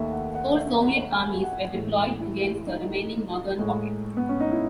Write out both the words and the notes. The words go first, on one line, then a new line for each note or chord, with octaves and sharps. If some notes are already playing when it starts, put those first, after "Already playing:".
Four Soviet armies were deployed against the remaining northern pocket.
Already playing: D#2 D#3 A3 E5
F#5
F#5
E5
F#5
G#5
F#5
A2 E3 G#3
E4
D#4
A2 G#3
B3
C#4
D#4
E4